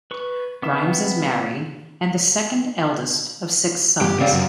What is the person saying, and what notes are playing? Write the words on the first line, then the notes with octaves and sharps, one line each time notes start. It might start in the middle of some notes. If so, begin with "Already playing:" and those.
Grimes is married, and the second eldest of six sons.
B4 C#6
B3 C4 E5
G2 E3 G4
C#3 C4 G4 C#5 D5 F5
F#2